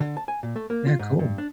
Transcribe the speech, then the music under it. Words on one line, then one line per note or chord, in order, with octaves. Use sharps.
Yeah, cool.
D3
A5
G#5
A#2
A3
A#3
F4
G#2
G2
D4